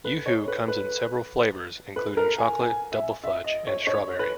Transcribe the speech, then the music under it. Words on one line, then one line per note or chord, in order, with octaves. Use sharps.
Yoo-hoo comes in several flavors, including chocolate, double fudge, and strawberry.
B4
C#5
B4
B4
B4
A#4
G#5
G#5
E5
E5
D#5
C#5
C#5
B4